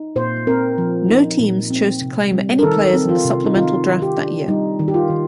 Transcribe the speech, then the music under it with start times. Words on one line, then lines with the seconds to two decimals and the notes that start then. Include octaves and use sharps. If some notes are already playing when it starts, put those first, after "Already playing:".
No teams chose to claim any players in the supplemental draft that year.
Already playing: D#4
0.16 A#2 C5
0.47 C4 A#4
0.78 F3
1.09 D#4
1.39 A#2
1.70 C4
2.02 C3
2.32 G3
2.59 A#4
2.63 D#3 A4
2.94 C4
3.09 F4
3.25 C3
3.45 D#4
3.55 D#3 F4
3.86 D#3
4.02 G4
4.18 D4
4.48 G3 D#4
4.79 D#3
4.88 G4
4.94 F4
5.10 D#3